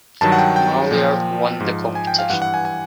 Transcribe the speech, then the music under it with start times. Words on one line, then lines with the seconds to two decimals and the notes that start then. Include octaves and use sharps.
Marlier won the competition.
0.21 G2 D#3 F#3 A5
0.32 F#5
0.38 G5
0.56 G5
0.91 A#2 F3
1.60 G#2 F3
1.95 G#5
2.07 G5
2.19 F5
2.30 G2 F#5
2.33 E3
2.42 F#5
2.54 G#5
2.65 G#5